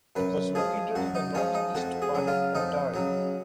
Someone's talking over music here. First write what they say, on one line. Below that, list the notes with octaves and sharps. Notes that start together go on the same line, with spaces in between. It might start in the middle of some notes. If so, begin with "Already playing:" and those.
It was located in the northeast part of Ontario.
F#2 B4
F3 G#3 G#4
F#2 F#4
D#4
F3 G#3 C#4
D#4
F2 F#4
G#4
C#3 F#3
F4
F2 D#4
C#3 F#3